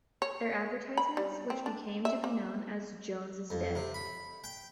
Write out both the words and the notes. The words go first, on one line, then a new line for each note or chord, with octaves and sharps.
Their advertisements, which became to be known as Jones is Dead!
C#5
B5
G3
C4
D4
E5
A#3
F2
C3
B5
G5